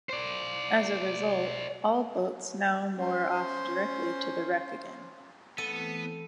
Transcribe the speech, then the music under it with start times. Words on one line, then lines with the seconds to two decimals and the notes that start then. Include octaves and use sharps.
As a result, all boats now moor off directly to the wreck again.
0.09 C5 D5
2.95 C#4 C5
5.58 E3 A3 B3 C4 A4 D#7